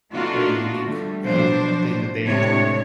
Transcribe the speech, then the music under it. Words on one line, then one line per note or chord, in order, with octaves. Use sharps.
very unique, um, thing that they enjoy.
A3 B3 D4 D#4 F4 F#4
D3 G3 A3
B2 F3 F#3 D4 C5
A2 C3 G#3 A3 D4 C#5